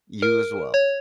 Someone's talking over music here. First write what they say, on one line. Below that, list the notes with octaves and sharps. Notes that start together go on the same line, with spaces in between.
You as well.
A#4
C#5